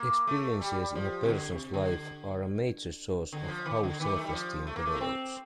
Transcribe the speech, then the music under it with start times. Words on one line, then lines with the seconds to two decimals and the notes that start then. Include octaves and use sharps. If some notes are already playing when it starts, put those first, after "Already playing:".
Experiences in a person's life are a major source of how self-esteem develops.
Already playing: A#3
0.27 A3
0.61 G3
0.95 F3
1.23 C3
1.28 D3
1.52 C3
1.74 D3
3.33 D3
3.48 F3
3.66 D#3
3.83 D3
4.00 D#3
4.16 A3
4.25 G3
4.33 F3
4.67 A3
4.76 A#3
4.86 A3
4.95 A#3
5.01 C4